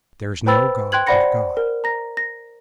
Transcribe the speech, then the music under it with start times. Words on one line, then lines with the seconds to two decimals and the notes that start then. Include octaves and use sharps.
There is no god but God.
0.46 B4 C5 G5 B5 E6 A6
0.92 G5 C6 F#6 G#6 F#7
1.07 C5 D5 F#5 B5 A#6 C#7
1.57 A#4
1.84 A#5 A#6
2.17 A#6